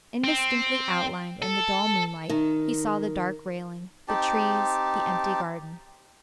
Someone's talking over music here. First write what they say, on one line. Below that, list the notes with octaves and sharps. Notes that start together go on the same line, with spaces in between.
Indistinctly outlined in the dull moonlight he saw the dark railing, the trees, the empty garden.
C4
A4
D#3
C4 D#4 G4 A5